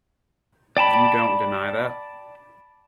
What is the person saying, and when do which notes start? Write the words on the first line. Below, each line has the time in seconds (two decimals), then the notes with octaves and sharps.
You don't deny that.
0.77 D5 G5 A5 B5